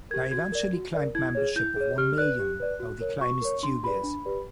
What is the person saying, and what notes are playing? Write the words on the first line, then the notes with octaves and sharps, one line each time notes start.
They eventually claimed membership of one million, though the claim is dubious.
G4 A#4 G#6
F#4 G#6
A#4 D5
F#4
A#4 D5
E4 G#6
G#4 C#5
E4 G6
G#4 C#5
G4 F6
B4 D5 F#6
G4
B4 D5
F#4
A#4 C#5
F#4 C#6
A#4 C#5
D4 C6
G4 B4 D5 B5
D4
G4 B4 D5